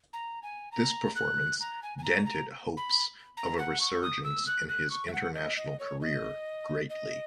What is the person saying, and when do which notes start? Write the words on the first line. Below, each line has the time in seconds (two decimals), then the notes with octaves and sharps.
This performance dented hopes of a resurgence in his international career greatly.
0.13 A#5
0.43 G#5
0.72 A#5
1.16 F#6
1.60 A#5
1.83 G#5
1.98 G#5
2.04 A#5
2.26 A#5
2.77 B5
3.37 A#5
3.58 F#5
3.80 C#6
4.02 D#6
4.24 E6
4.47 F#6
4.68 F#6
4.90 C#6
5.08 E5
5.13 F#5
5.34 D#5
5.57 D#5
5.79 C#5
6.01 D#5
6.90 D#5